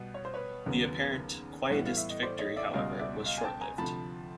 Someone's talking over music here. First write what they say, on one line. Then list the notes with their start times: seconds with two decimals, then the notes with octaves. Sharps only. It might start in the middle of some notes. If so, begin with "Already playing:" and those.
The apparent Quietist victory, however, was short-lived.
Already playing: B2 G3 B3
0.14 C#5
0.25 C5
0.34 B4 C#5
0.66 D#2 C#3 F#3 B3
1.70 A2 E3 G3 B3 F#5
1.86 F5
1.97 E5
2.10 D#5
2.22 C5 D5
2.39 C#5 D#5
2.56 D5 E5
2.74 C#2 B2 G3 D#5 F5
2.99 D5 E5
3.26 D#5 F5
3.38 G#5
3.44 G5 A5
3.61 G#5 A#5
3.78 D2 C3 F3 A5 B5